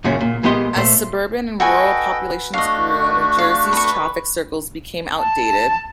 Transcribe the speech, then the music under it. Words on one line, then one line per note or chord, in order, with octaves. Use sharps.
As suburban and rural populations grew New Jersey's traffic circles became outdated.
F#2 A#2 C#3 G#3 C#4
A#2
A#2 G#3 B3 G4 D#5 C6
A#2 A3 C5
F#4 A4 B4 D#5 G5 G#5
A3 D4 F#4 D#5 F5
F5
B4 C#6
A5